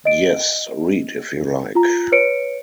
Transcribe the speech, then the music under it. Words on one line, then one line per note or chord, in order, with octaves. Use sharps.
Yes, read if you like.
D#5 D7
F4 A#5
B4 C#5 C#7 D7